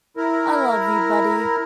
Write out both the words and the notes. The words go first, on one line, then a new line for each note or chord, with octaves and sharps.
I love you, buddy.
E4 A#4